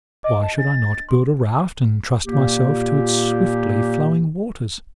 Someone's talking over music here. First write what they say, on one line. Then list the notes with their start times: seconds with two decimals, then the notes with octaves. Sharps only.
Why should I not build a raft and trust myself to its swiftly flowing waters?
0.24 D#5 D6
0.42 A5
0.58 D4 A6
1.09 G#4 C6
2.25 A#2 A#3 G4